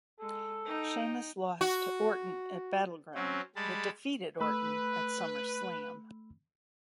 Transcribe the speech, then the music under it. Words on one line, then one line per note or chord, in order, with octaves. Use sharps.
Sheamus lost to Orton at Battleground, but defeated Orton at SummerSlam.
G#3 A4
D#4 G5
F#4
F#3 C4 C#4
G3 G#3 A5 B5
A3 B4 B5 E6